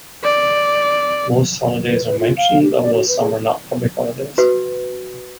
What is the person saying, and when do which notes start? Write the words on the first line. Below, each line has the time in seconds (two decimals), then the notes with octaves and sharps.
Most holidays are mentioned, although some are not public holidays.
0.24 D5
1.87 B4
2.07 B4
2.19 F4
2.37 F5
2.63 G4
2.82 D5
2.94 F#4
3.08 B4
3.20 G#4
4.38 F#4 B4